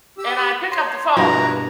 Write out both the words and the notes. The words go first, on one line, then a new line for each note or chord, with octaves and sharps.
and I pick up the phone.
G4 E6
C#5 C6
G2 B2 F3 A#3 E4 F#4 B4 A#5